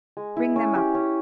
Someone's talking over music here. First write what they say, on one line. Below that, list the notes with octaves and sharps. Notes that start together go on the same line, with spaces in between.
Bring them up.
G#3
E4
C#4
G4
C#4